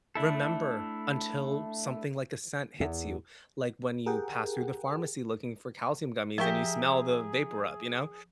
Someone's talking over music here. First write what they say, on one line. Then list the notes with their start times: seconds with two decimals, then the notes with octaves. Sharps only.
remember until something like a scent hits you, like, when you pass through the pharmacy looking for calcium gummies and you smell the vapor rub, you know?
0.15 A3 D4 E4 A4
2.80 E2
4.06 G4 G#4 A#4 F#5 G5
6.38 F3 G4 G#4 A#4 E5 C#6